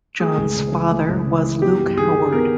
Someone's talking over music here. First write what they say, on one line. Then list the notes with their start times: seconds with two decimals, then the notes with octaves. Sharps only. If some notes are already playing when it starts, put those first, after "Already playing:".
John's father was Luke Howard.
0.20 A3 G#4
0.37 C#2
0.56 C#3
0.73 E3
0.90 A3
1.09 C#2
1.26 C#3
1.44 E3
1.62 B3 G4
1.80 G2
1.97 D#3 G#4
2.15 G3
2.33 B3 A#4